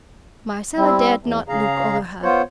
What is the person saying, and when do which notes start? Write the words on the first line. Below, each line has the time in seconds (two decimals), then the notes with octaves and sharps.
Marcella dared not look over her.
0.77 G3 C4 E4
1.19 E2
1.48 C#3 G#4 F5 A#5
2.23 B3 F4 C5 C#5